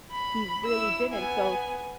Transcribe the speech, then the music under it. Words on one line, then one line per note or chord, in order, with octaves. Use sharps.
he really didn't, so
B5
E4 E6
B3 G#5